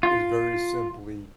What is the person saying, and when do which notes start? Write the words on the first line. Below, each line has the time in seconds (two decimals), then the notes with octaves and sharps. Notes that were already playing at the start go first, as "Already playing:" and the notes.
is very simply,
0.03 F4